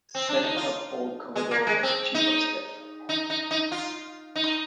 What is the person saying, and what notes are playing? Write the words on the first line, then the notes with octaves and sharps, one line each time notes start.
Senator Paul Coverdell as Chief of Staff.
C4
D4
D#4
F4
G#3
A#3
G#3
C4
D#4
D#4
D#4
D#4
F4
D#4